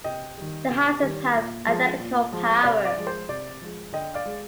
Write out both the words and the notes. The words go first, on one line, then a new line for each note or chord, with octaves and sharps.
The houses have identical powers.
C3 D#5 G5
D#3 G3
C3
D#3 G3
A#2
F3 G#3
A#2
F3 G#3
C3 D5 F5
D5
F3 G#3
C5
C3 D5
F3 G#3
D3 D#5 G5
D5 F5
G#3